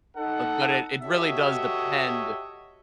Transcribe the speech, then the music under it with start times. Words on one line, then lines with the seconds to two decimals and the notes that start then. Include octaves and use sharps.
um, but it it really does depend
0.17 D#4 A4 F#5
1.02 F#4 G4 A4 C#5 D#5 E5